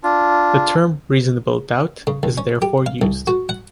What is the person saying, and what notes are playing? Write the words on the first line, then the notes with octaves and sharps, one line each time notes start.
The term "reasonable doubt" is therefore used.
D4 F4
C#3
D#2
C#4
G4
F5
C2
F#4
F#5